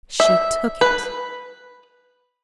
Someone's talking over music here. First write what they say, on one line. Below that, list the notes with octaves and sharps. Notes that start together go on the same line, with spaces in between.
She took it!
E5
B4